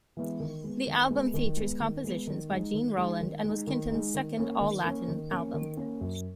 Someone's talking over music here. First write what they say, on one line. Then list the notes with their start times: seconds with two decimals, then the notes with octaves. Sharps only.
The album features compositions by Gene Roland, and was Kenton's second all-Latin album.
0.17 E3 G#3 B3
0.40 D#3
0.64 G#3 B3
0.87 D#3
1.10 G#3 B3
1.34 D#3
1.57 G#3 B3
1.80 D#3
2.04 G#3 B3
2.27 D#3
2.50 G#3 D#4
2.74 D#3
2.97 G#3 D#4
3.21 D#3
3.44 G#3 D#4
3.67 D#3
3.91 G#3 D#4
4.14 D#3
4.37 A#3 C#4
4.61 D#3
4.84 A#3 C#4
5.08 D#3
5.31 A#3 C#4
5.54 D#3
5.77 A#3 C#4
6.01 F#2